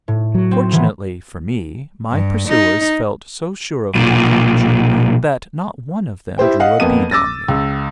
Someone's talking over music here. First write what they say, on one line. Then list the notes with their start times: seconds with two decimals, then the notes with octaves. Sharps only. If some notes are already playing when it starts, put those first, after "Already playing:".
Fortunately for me, my pursuers felt so sure of my capture that not one of them drew a bead on me.
0.08 A2
0.35 F#3
0.51 C4
0.72 D#3 E3 B3
2.11 G2
2.48 D#4
3.95 B1 A#2
6.38 E4 G4 C5 G5
6.60 D#5 F5 F#5
6.80 F2 A#3 B3 D#7
7.11 D6 E6 A6 A#6
7.48 C#2